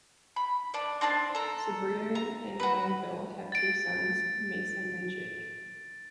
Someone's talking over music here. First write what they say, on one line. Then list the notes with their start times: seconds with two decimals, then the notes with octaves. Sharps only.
Cibrian and Glanville have two sons, Mason and Jake.
0.36 B5
0.74 D4 D5
1.01 C4 D4 A5 C6
1.35 A4 A#5
2.15 A#5
2.60 F#4 B4
3.52 A6 D7